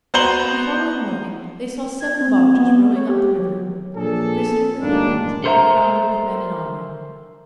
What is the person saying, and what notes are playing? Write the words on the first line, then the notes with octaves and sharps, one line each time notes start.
On the following morning, they saw seven barges rowing up the river, bristling with weapons, and crowded with men in armor.
B3 F#4 C5 A#5 F#7 G7
G#6
C4
B3
C#5
G4
F#3
A#2 F3 D4 G#4 A4
F#2 A2 D#3 G#3 A#3 D4
A4 A#4 C5 D5 E5 A#5